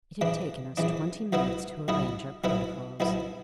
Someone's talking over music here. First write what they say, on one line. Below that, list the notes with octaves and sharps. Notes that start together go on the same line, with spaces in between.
It had taken us twenty minutes to arrange our protocols.
E2 E3 D4
E2 E3 D4
B1 B2 B3 E4
B1 B2 B3 E4
B1 B2 B3 E4
B1 B2 B3 E4